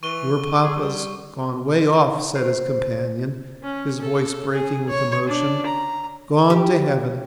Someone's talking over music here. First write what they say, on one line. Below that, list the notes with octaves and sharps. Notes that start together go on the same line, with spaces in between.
"Your papa's gone 'way off"--said his companion, his voice breaking with emotion--"gone to heaven."
E3 C#6 D#7 G7
D3
G#4
G3
C5
C#4
A4
G#4
C#5
D4
A#5
G4